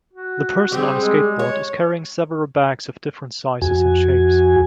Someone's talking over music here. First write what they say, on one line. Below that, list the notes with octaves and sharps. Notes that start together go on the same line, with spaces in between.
The person on a skateboard is carrying several bags of different sizes and shapes.
F#4
G3 C4 G#4
G#3
C#5
F2 F#4 G#5